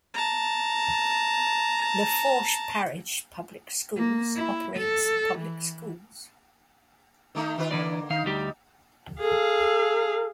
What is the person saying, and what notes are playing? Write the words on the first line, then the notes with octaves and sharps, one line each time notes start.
Lafourche Parish Public Schools operates public schools.
A5 A#5
A#3
E4
A4
E3
D#3 A3 D#4
D#3 F4 B4
D3 E3 A#3 B4 D5
D#3 D#4 F5
D2 G3 G4
G#4 A4 F5